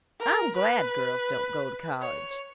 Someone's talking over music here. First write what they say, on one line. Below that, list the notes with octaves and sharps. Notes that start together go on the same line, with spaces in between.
"I'm glad girls don't go to College."
A#4
B4
C#5